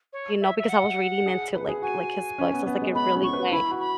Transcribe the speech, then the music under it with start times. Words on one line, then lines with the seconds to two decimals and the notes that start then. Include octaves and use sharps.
you know, because I was reading into like like his books, was like, it really went,
0.13 C#5
0.41 E5
0.59 E5
0.69 F#5
1.26 G#4
1.54 B4
1.68 G#4
1.82 F#4 G#5
2.38 C#4
2.54 B3
2.67 B3
2.82 G#3
2.95 B3 B5
3.15 C#4
3.24 C#6
3.33 B4
3.52 E4 B5
3.71 F#4
3.80 B5